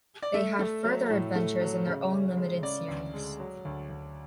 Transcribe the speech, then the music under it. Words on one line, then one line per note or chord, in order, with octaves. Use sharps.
They had further adventures in their own limited series.
D5
A3 E5
A3
F#3
A2
A3
F#3
C#3
C#4
G#3
C#3 D5
D2
G#3
F#3
D2
D2